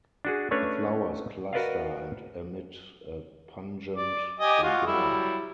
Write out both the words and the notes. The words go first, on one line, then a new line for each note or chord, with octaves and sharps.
The flowers cluster and emit a pungent odor.
D4 F#4 G#4
A3 C#4 D4 B4 C#5
F#4 A#4 B4 D5 D#5 F5
D5
G4 D#5 G#5
F4 F#4
F#3 G3 E4